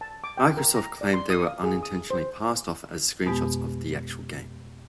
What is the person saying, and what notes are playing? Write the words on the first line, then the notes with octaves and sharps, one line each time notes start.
Microsoft claimed they were unintentionally passed off as screenshots of the actual game.
A5
D6
G5
A#4
A#5
D5
C6
D#6
F5
G#4
D#6
C5
F2 B2 G#3 B3 G4